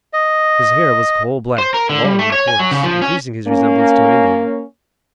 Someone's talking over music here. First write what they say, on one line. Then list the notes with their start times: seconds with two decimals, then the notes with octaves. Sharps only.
His hair was coal black, long and coarse, increasing his resemblance to an Indian.
0.13 D#5
1.58 C5
1.74 A#4
1.90 D3
2.04 G3
2.19 A3
2.32 C#5
2.48 G#5
2.59 F#3
2.71 C#3
2.83 F3
3.02 C#4
3.48 A#3 C#4